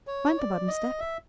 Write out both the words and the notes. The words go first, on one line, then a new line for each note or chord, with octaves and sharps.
Mind the bottom step.
C#5
D5
D#5
E5